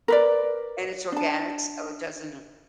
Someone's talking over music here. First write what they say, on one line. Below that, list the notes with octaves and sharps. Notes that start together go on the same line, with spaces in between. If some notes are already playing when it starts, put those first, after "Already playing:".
and it's organic so it doesn't, uh
A#4 B4 D5
D4 A5